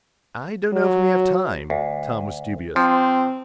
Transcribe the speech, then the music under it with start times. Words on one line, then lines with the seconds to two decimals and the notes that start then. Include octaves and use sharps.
"I don't know if we have time." Tom was dubious.
0.73 F#3
1.70 D2
2.76 F3 C4